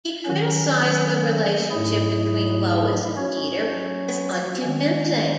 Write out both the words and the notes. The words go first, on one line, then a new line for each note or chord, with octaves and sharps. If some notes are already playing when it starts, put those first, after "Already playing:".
He criticized the relationship between Lois and Peter as unconvincing.
D#3 F#3 C#4
G#2 F#3 A3 E4 G#4
F#3 C#4 F#4 C#5
D#3 G#3 C#4